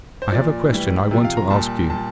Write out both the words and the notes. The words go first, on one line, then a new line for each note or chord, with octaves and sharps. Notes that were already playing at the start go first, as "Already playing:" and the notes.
'I have a question I want to ask you.'
C5
A#2 F3 D5
A2 E3 G3
C3 F3
F5
A#5
A#2 G3 A5
A#2 G3 A5